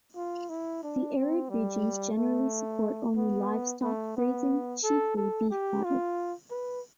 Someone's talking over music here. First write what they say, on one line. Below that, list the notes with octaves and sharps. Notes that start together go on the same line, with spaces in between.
The arid regions generally support only livestock grazing, chiefly beef cattle.
F4
E4
D4
C4
G3
A3
B3
A3
B3
A4
A4
G4
F4
B4